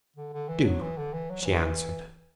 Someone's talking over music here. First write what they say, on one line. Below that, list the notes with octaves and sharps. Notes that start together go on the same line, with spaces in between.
"Do," she answered.
D3
D3
E3
F#3
E3
D3
E3
F#3
F#3
E3